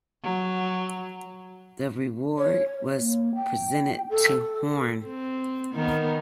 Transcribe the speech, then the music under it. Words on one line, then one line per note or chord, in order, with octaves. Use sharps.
The award was presented to Horne.
F#3
C#5
A#3
G5
A4
C4
D#3 B3 A#4